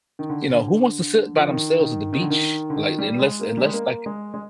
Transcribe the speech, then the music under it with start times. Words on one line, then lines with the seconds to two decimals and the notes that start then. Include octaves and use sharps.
you know, who wants to sit by themselves at the beach, like, unless unless like
0.19 D#3
0.30 D3
0.53 D3
1.37 F3
1.48 D#3
1.80 D#3
2.13 D#3
2.21 D3
2.30 D#3
2.70 D3
2.76 D#3
2.99 G3
3.19 G#3
3.41 A#3
3.57 G3
3.65 G#3
3.73 A#3
4.06 G#3
4.34 G#3